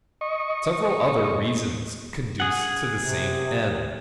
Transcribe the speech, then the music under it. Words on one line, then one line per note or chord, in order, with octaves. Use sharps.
Several other reasons conduce to the same end.
D#5 C#6
G#4 F#5
C3